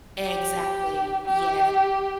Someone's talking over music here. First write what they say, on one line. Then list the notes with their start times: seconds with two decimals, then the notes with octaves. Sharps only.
Exactly, yeah.
0.22 G4
1.26 G4